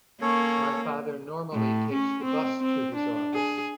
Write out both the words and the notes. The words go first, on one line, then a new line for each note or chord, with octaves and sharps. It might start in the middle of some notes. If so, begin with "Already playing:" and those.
My father normally takes the bus to his office.
A#3 C#4 A4 C#5
A2
C#4
C4
C4
D4
G#4